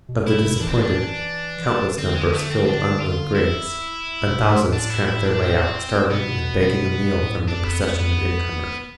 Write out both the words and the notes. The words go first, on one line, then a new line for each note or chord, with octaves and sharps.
Of the disappointed, countless numbers filled unknown graves, and thousands tramped their way out starving and begging a meal from the procession of incomers.
B2
B2 E4
C3
E3 D4
C4
D4
D3 C4
G#3
A3
C4
D4
F4
E4
B2
A2
D4
E4
E4
D4
C4
B2 B3
A2
G#2
F2 D4
B3
B3
B3